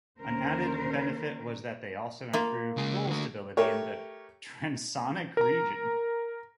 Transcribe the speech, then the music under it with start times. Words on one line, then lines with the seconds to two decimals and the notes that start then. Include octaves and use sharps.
An added benefit was that they also improved roll stability in the transonic region.
0.19 D#2 D3 C#4 A#4 C5
2.33 A#3 F4
2.77 C#3 G#3
3.07 D3 A3
3.57 A3 G4 A#4 C#5
5.37 A#4 A#5